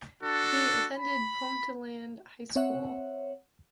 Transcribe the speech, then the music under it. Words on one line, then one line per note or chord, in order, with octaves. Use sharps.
He attended Ponteland High School.
D4 F#4 A4
B5
C4 C#5 E5 F#5